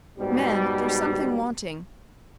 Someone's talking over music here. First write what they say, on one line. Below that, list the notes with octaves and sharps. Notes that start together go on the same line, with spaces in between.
'Man, there's something wanting.
G#2 B2 G3